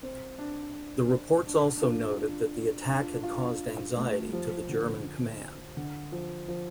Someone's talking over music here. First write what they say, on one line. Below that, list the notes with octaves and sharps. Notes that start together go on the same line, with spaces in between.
The reports also noted that the attack had caused anxiety to the German command.
C4
D4
D4
D4
F4
D4
D4
F4
D4
F4
D4
A3
G3
F3
D3
D3
F3
F3